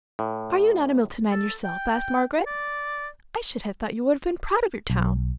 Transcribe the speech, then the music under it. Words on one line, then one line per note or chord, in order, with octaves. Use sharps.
'Are you not a Milton man yourself?' asked Margaret. 'I should have thought you would have been proud of your town.'
A2
A4
G5
D5
B1